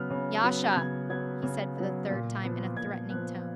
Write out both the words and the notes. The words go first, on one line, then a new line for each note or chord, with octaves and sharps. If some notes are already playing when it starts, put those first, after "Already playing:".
"Yasha!" he said for the third time, in a threatening tone.
Already playing: C#3 F#3 B3 F6
C#3
F#3 B3
C#3 G#6
F#3 B3 G#6
C#3
F#3 B3
A#2
F3 B3
A#2 G#6
F3 B3 F#6